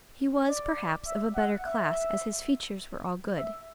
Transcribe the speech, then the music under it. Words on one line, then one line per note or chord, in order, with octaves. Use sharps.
He was, perhaps, of a better class, as his features were all good.
D5
E5
F#5
E5
E5